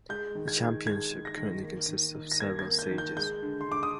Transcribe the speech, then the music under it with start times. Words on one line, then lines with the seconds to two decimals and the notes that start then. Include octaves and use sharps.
The Championship currently consists of several stages.
0.09 G#3 G6
0.35 D#3
0.48 G#6
0.61 D#3
0.87 G#3 G#6
1.12 G#3
1.25 A#6
1.37 D#3
1.63 A#3
1.89 D#3
2.15 D#3
2.31 A#6
2.40 A#3 G#6
2.59 G#6
2.66 A#3
2.79 G6
2.91 D#3
2.98 G6
3.17 G#3 G6
3.43 D3
3.61 C6
3.69 D3 D6
3.83 D#6